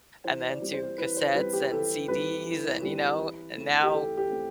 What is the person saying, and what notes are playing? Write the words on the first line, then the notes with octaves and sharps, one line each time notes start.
and then to cassettes and CDs and, you know, and now
E3 C5
D5
G3 C4
C5
E3 B4
C5
G3 C4 B4
G4
E3 A4
G3 C4 B4
E3
G3 C4
E3
A3 C4
G4
E3 A4
G4
A3 C4